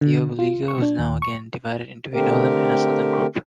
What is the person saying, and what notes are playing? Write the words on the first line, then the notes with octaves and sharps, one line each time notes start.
The "Oberliga" was now again divided into a northern and a southern group.
D3
F4
C#6
D4
D#2
C#6
D3 A3 C4 G4 A#4